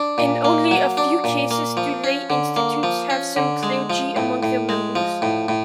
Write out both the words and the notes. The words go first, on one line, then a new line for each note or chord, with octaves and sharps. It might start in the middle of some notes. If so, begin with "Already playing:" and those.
In only a few cases do lay institutes have some clergy among their members.
Already playing: D4
A#2
A#3
F#3
D4
A#2
A#3
F3
C#4
D3
A#3
F3
C#4
D3
G#3
F3
A2
A2
G#3
F3
A2
A2